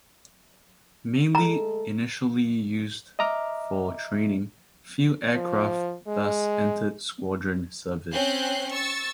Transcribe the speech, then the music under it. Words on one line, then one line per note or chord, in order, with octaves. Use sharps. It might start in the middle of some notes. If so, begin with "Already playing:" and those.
Mainly initially used for training, few aircraft thus entered squadron service.
G#3 A3 A4 A#5
D#5 E5 A#5 D6 F6
F3
G#3
C4 C#4 F#6 G6 C7
C#6 E6 A6